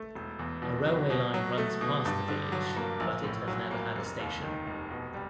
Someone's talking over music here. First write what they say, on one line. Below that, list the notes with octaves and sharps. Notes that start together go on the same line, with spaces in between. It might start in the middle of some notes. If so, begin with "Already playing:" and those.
A railway line runs past the village but it has never had a station.
Already playing: A3
E1
E2
B2
F#3
B2
F#3
A3
B2
G2
D3
F#3
A#3
A#1
A2
F#3
A#3
F1
D#2
D#3
F1
B2
G3